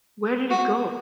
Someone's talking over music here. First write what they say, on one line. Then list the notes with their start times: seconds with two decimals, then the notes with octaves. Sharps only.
Where did it go?
0.50 F#4